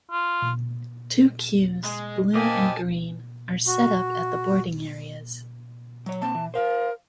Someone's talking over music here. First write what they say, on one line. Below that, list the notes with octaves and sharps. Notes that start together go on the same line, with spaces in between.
Two queues, blue and green, are set up at the boarding areas.
F4
G#3
A#3 G4 C5 D#5 G#5 A5 D6
F#4
F#3 C#5
A#3 C4 A5
E3
A#4 C5 F5